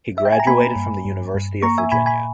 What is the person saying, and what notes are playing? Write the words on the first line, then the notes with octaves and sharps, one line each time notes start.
He graduated from the University of Virginia.
E5
G5
G#5
A#5
A#3 G#5 B5
G2
G2
G2
A#3 A#5 C#6
E5 G#5
A#2 G#5 B5
G#5 B5